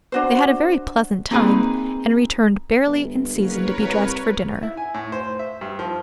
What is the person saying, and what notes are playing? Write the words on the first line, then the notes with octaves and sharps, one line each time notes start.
They had a very pleasant time, and returned barely in season to be dressed for dinner.
D4 F#4 C5
A#3 C4 D#4 G#4 B4
G1
F#1 A#4 B4 C#5
C2
E4
G#5
A2
C5
E5
G2
F3